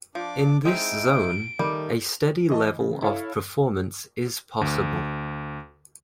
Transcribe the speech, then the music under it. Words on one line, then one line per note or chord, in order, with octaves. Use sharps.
In this zone, a steady level of performance is possible.
F3 D4 D6
G#3 C4 D#4 E4 D7
D#3 G3 A3
E3 D#5 A5
C#3
E4 A4 C#5 F5
D2